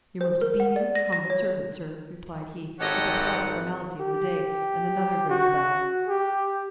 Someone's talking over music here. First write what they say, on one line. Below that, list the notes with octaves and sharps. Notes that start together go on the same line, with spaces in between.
"Your most obedient, humble servant, sir," replied he, with the polite formality of the day, and another grave bow.
C5
A#4
F#5
D5
A#6
A#6
C#5
G#1 G4 A4 C#5 D#5 F#5
G4
F#4
G4